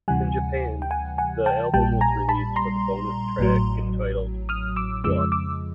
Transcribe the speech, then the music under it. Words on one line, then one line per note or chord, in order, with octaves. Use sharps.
In Japan, the album was released with a bonus track entitled "Flood".
D2 C3 E3 G3 F#5 G#5
G5
F#5 G#5
F#5 G#5
G5 A5
A#1 A#2 G3 G5 A5
G#5 A#5
A5 B5
A#5 C6
A1 A2 F#3
D#6 F6
D6 E6
F2 C#3 F3 G#3 D6 E6
D6 E6